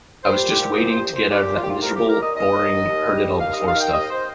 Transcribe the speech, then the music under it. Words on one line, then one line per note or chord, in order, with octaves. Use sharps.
I was just waiting to get out of that miserable, boring, heard-it-all-before stuff.
G3 C5
A#2
G4
A#2
D#5
C2 C5
C2 C5
C2 C5
A#2 G4
C2
F4
C2 G4
F4
C2 A#4
A#2 G4
A#4
A#2 D#5
D#2 D#5
D#2
D#2
D#2
G3
G3
D#2 F5
D#2 D#5
F5
D#3 G5
D#2 D#5
C5